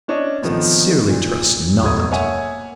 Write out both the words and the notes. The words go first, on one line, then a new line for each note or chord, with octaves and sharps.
"I sincerely trust not."
C#4 D4 C#5 D#5
D3 D#3 F3 B3 C4
A#2
F1 F#2 B2 A3 D#6 G#6
A#3 C#5 E5 F#5 G#5